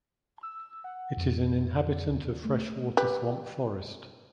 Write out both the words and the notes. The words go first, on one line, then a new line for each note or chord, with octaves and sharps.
It is an inhabitant of freshwater swamp forest.
E6
F#5
F2
D#2
A3
G4 B4